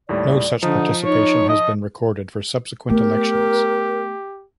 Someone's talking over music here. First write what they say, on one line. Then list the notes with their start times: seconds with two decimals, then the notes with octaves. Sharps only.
No such participation has been recorded for subsequent elections.
0.09 D#2 A2 G3 D5
0.63 D3 F3 D#4
1.05 D#4 C#5
1.49 D#5
2.90 A3 B3 G4 A#4